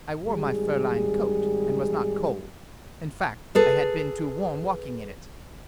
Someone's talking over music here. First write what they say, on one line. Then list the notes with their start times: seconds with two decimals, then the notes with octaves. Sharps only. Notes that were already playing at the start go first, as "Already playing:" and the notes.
I wore my fur-lined coat, and was not cold--in fact, I had been too warm walking in it.
0.24 G#1 G3 G#3 G#4
3.55 G#4 A4 B4